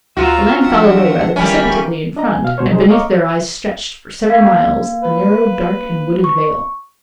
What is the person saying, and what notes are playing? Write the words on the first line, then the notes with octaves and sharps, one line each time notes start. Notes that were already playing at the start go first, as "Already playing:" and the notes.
The land fell away rather precipitately in front, and beneath their eyes stretched, for several miles, a narrow, dark, and wooded vale.
D2 F4 F#4 F5 A#5 E6
F3 C4 D4 E5 F#5
D#3 E3 G3 A#3 C#4 E5 G#5 B5
D4 D#5 A#5
G#5
B2 F5 F6
C2 B2 C5 C#5
C3 D#4 G#4 C5
C#5 D#5 F5 A#5 C#6 D6
A#3 F5
B4
C#6